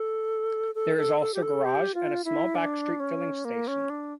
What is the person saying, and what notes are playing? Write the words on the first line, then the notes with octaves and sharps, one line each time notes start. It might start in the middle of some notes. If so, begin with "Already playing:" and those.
There is also a garage and a small backstreet filling station.
Already playing: A4
A4
A4
A4
G4
A4
G4
F4
E4
D4
C#4
A#3
C#4
D4